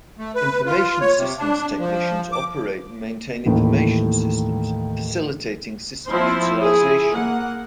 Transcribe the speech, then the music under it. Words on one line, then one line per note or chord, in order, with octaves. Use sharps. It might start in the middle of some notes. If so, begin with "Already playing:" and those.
Information systems technicians operate and maintain information systems, facilitating system utilization.
A3
B4
F4
C#5
C3
D4
F3
D6
D#2 A2 E3
F3 C4 E4 C5
E4 G#4
A#3 F#5